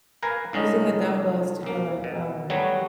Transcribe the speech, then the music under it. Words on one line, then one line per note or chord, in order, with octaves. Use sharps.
using the dumbbells to do, like, um,
A#4 B4 F5 G#5 A#5
C2 D3 C#4 D#5
B1 A#3
B2
F#3 G3 A3 B3 F#4 C#5